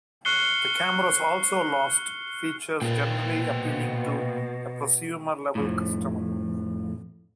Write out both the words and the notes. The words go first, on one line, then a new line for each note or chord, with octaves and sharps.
The cameras also lost features generally appealing to a prosumer level customer.
C#6 F6 F#6 C7 C#7 G7
A#2 A#3 B4 G5
B2
F2 A2